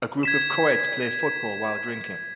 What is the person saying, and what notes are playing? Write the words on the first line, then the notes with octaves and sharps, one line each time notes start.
A group of coeds play football while drinking.
G#6 B6 E7